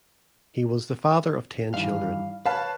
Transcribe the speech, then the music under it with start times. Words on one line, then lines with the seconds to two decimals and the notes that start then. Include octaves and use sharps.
He was the father of ten children.
1.74 G2 D#3 E3 F5
2.46 B4 C#5 F5 A5